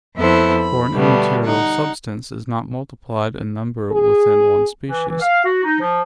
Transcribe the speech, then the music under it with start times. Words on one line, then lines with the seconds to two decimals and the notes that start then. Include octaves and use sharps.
For an immaterial substance is not multiplied in number within one species.
0.16 F2 B3 E4 A4 C5 F#5
0.58 B5
0.94 B2 D3 G3 A3 B3
1.45 D#4 F#5
3.91 G#4
4.86 E3
5.08 E3
5.21 F5
5.44 F#4
5.64 D#4
5.80 F3